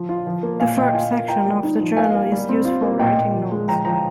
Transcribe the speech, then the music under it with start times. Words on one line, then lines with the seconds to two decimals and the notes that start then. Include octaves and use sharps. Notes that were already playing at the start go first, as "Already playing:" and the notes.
The third section of the journal is used for writing notes.
Already playing: F3
0.09 F4
0.26 F3
0.43 A#3
0.60 A#2 F5 G#5
0.77 A#2 D#5 G5
0.94 F4 F5 G#5
1.11 A#3
1.28 F4 G5 A#5
1.45 G3
1.63 D#4
1.80 F3
1.96 A#3 F5 G#5
2.14 A#3
2.32 G3
2.49 C4
2.65 F4
2.82 A#3
2.99 A#2 D#5 G5
3.16 A#2
3.34 F3
3.51 G#3
3.68 F3 G5 A#5
3.85 F3 G5 A#5